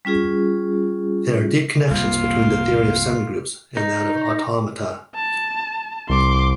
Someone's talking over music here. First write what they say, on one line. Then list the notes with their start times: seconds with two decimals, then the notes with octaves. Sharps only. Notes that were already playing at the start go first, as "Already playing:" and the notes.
There are deep connections between the theory of semigroups and that of automata.
0.05 G3 C#4 F4 G#4
1.91 C2 F#2 A#3 F4
3.77 D#4
5.15 A5
6.10 C2 C6 D6